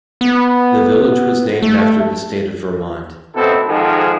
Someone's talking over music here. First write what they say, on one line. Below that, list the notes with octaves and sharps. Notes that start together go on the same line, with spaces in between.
The village was named after the state of Vermont.
B3
A3
A1 B2 C4 E4 A4
F2 G#2 D#3 F3 G#3